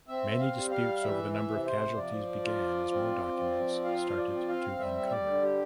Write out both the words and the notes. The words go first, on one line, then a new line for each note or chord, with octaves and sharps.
Many disputes over the number of casualties began as more documents started to uncover.
C4 E5
F5
G3
F5
E3 E5
E5
C3
C5
F3 D5
F4
C4
F3
F4 F5
D5
C4
F5
G3 E5
D5
D3
G4